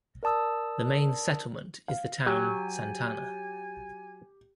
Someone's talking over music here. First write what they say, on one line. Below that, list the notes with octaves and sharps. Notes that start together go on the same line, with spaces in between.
The main settlement is the town Santana.
A#4 D5 A5 D#6 E6
F5
F#3 G4 G#5